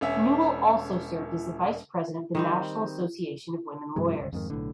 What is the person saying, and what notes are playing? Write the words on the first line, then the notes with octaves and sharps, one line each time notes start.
Newhall also served as the Vice President of the National Association of Women Lawyers.
E1 C#4 E5
D#3 G3 C4
G2 C3 F#3 G#3
G1 C#2
F2 G#2 D#3
B1 A2 D3